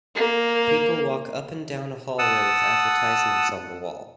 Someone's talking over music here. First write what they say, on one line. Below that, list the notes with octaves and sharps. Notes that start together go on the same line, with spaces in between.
People walk up and down a hallway with advertisements on the wall.
A#3
F#5 A5 D#6 E6